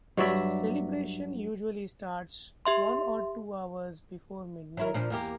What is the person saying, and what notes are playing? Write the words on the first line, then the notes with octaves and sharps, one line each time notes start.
The celebration usually starts one or two hours before midnight.
G2 F#3 D5 E5
G4 E5 C6
F#3 E4 A#4
A#2 F3 D4
E2 A#3 G4